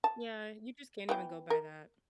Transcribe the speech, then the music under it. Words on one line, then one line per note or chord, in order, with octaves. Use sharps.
Yeah, you just can't even go by that.
A5
E3 B3 G5
A#4